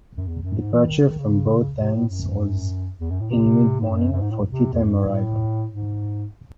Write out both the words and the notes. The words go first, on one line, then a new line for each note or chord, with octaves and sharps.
Departure from both ends was in mid-morning, for a teatime arrival.
F#2
E2
F#2
G#2
E3
D#3
C#3
D#3
C#3
C3
A2
F#2
E2
F#2
A2
C3
G#2
F#2
F#2
G#2
A2
C3
E2
F#2
G#2
A2
G#2